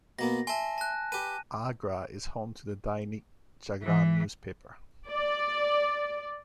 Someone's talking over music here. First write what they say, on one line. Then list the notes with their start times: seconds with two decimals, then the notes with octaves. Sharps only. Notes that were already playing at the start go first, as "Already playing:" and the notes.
Agra is home to the "Dainik Jagran" newspaper.
0.19 B2 A#3 B3 A#6
0.47 E5 G#5 A5 C6
0.78 A5 F#6
1.12 G4 B4 D#7
3.83 E3
5.09 D5